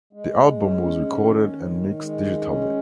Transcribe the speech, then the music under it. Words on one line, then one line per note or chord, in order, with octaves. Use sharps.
The album was recorded and mixed Digitally.
G#3
C#4
D#3
D#3
G#3
C#4